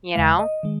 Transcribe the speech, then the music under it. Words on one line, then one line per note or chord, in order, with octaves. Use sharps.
You know?
D#2 C#3 G#3 F5
D#5
D#3 G#3